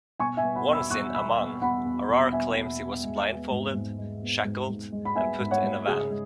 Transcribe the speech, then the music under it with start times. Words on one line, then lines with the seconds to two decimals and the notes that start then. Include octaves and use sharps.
Once in Amman, Arar claims he was blindfolded, shackled and put in a van.
0.19 B2 G#5 C#6
0.37 E5 G#5
0.43 B3
0.55 F#5 B5
0.67 E2
0.73 B5 E6
0.90 E2 C#6 F#6
1.15 B2 B5 E6
1.38 B3
1.62 E2 F#5 B5
1.85 E2
2.09 B2
2.33 B3 E5 G#5
2.56 E2
2.80 E2
3.03 G#3
3.27 B3
3.50 G#2
3.74 G#2
3.98 G#3
4.22 B3
4.45 G#2
4.69 G#2
4.92 G#3
5.05 B5
5.16 B3 E5 G#5
5.39 G#2
5.51 C#5 F#5
5.63 G#2
5.87 C#3 G#4
6.10 G#3